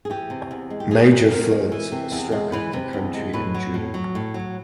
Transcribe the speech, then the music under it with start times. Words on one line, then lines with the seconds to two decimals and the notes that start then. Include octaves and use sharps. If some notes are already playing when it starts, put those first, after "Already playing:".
Major floods struck the country in June.
0.05 G#4
0.10 E3 G4
0.30 C3
0.51 E2
0.70 G#3
0.80 G4
0.91 E3 G#4
1.11 C3
1.31 E2 A#4
1.51 G#3
1.72 E3
1.92 C3
2.12 E2
2.32 G#3
2.52 E3 B4
2.73 C3
2.93 E2
3.13 G#3
3.33 A2 B4
3.54 F#3
3.74 A2
3.94 F#3
4.15 A2
4.34 F#3